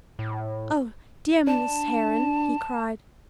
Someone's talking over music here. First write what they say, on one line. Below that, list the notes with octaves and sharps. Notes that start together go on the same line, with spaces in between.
"Oh, dear Miss Heron!" he cried.
A2
D4 A5